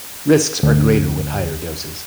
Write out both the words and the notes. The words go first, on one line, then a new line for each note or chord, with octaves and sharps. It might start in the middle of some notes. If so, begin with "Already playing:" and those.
Risks are greater with higher doses.
D2